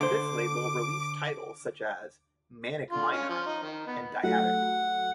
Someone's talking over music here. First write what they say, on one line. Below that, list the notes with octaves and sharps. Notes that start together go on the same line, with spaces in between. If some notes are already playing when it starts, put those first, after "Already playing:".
This label released titles such as "Manic Miner" and "Dyadic".
D3 C5 D6
D3 F4
C#4 F5
F3
D#4
D#3
B3
F#3 A3 F#5